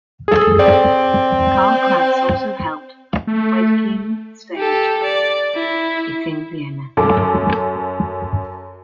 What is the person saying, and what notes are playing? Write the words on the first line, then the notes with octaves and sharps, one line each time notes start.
Karl Kraus also helped Wedekind stage it in Vienna.
G#4 A4
C4 D5
A3
G4 A4
D5
E4
F#2 A4 D6